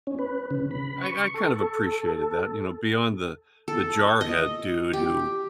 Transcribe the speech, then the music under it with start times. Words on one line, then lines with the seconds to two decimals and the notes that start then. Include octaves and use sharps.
I I kind of appreciated that, you know, beyond the the jarhead dude who
0.07 C#4
0.19 B4
0.51 C#3
0.71 B5
1.01 C#6
1.34 A4
3.68 A4
4.21 D#5
4.93 G4